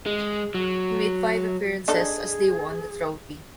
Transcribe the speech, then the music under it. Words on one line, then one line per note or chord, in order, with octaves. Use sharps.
He made five appearances as they won the trophy.
G#3
F#3
D4 D#4 G#4 A4